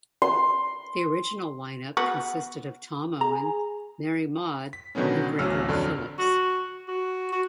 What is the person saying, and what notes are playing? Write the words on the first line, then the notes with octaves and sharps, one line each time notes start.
The original lineup consisted of Tom Owen, Mary Maude and Gregory Phillips.
C6
B3 F#4
G#4 A#5
B6
B2 D3 D#3 F#3 B3 C#4
A1 D2 F#3 E6 F6
F2 D3 F#3 D5 F6
F#4
F#4
F#4